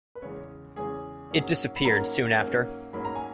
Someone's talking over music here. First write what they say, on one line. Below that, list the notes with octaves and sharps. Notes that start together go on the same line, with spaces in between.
It disappeared soon after.
B4
E2 C#3 G#3 C#4 C#5
E2 C#3 G#3 C#4 G#4 G#5
G#2 F#3 A#3 C#4
B5
G#2 F#3 A#3 C#4 A#4 A#5
G#2 F#3 A#3 C#4
G#2 F#3 A#3 C#4 B5
A#5
G#5